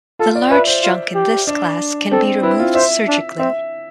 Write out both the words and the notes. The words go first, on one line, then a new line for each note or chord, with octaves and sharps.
The large junk in this class can be removed surgically.
F4 A4
D5
B4 E5
C5
F4
G4
D4
C4 A4
E4 B4
F4
C5 E5
D4
C4 E5